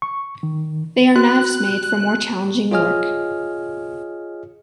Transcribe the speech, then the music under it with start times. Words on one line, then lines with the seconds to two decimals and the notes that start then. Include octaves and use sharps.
They are knives made for more challenging work.
0.02 C#6
0.43 D#3
1.16 F#4 F#6
2.71 F4 G#4 C#5 D#5 G#5 F6